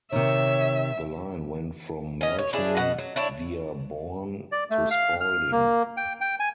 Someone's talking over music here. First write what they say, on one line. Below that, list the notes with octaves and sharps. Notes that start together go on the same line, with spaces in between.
The line went from Melton, via Bourne, to Spalding.
C3 D#3 C#5 E5
C#4 D#5
C#5
D4 E4 G#4
B2 D#5 F#5
F#3
D4 E4 C#5
D5
A3
F5
F6
A#3
G5
G5
G#5